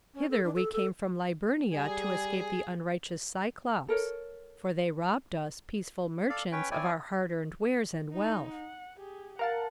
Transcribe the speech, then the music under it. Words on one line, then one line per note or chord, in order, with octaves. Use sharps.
Hither we came from Liburnia to escape the unrighteous Cyclopes; for they robbed us, peaceful merchants, of our hard-earned wares and wealth.
C#4
A4
D4
A4
A4
G3 G#4
A4 A#4 C#5
A4 D5 F5
C#4 B4 C#5 G5
C4 E4 C#5 D5 G5 G#5
D#4 E4
F#5
G4 G#4
A#4 F5 F#5 A5